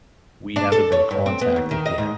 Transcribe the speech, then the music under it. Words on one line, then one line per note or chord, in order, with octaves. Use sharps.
we haven't been contacted yet?
D4
A4
C#5
G2
C4
B3
D#2
D#3
D#5
G#2